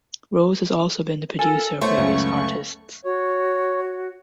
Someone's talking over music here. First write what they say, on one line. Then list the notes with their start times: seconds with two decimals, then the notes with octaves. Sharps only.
Rose has also been the producer of various artists.
1.39 F4 A4 A#4 G#5
1.81 A3 B3 E4 A4 C5 C#5 C#6
1.97 C#2 F#2
3.05 F#4 C#5